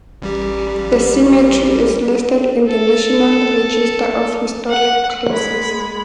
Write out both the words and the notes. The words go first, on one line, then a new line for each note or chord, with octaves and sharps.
The cemetery is listed in the National Register of Historic Places.
A1 G3 G4
A4
F#5
G#3 B5